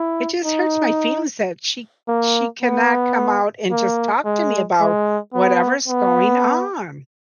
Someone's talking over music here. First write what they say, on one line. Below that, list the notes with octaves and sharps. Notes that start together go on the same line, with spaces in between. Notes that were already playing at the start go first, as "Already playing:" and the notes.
It just hurts my feelings that she she cannot come out and just talk to me about whatever's going on.
Already playing: E4
D#4
A#3
B3
A#3
G#3
G#3
B3
B3